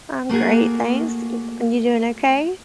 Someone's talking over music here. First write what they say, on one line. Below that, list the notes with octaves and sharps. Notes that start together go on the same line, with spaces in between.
I'm great, thanks, and and you doing okay?
A3 A#3 F#4 G#4